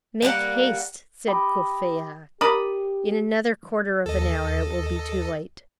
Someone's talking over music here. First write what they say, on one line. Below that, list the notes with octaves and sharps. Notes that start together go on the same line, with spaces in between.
"Make haste," said Courfeyrac, "in another quarter of an hour it will be too late."
G3 A#3 D#4 F#5
G4 D#5 B5
D4 G4 A#4 D5 B5 D#6
D#2 A4 D#5